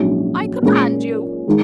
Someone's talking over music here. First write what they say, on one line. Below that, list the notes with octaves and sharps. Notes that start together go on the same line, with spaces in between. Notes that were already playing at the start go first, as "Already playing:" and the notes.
"I command you!"
Already playing: A#1 G#2 F#3 C#4 F#4
A#2 G#3 C#4 G#4
D#3 G#3